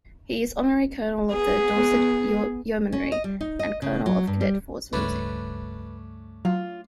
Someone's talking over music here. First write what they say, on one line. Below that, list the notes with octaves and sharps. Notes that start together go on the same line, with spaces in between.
He is Honorary Colonel of the Dorset Yeomanry, and Colonel of Cadet Force Music.
B3 G#4
C#4
D#5
G3
D#4
D#5
C#3
F#3
G2
G3
C#2 G2 A3 C#4 D4 B4
F#3 F4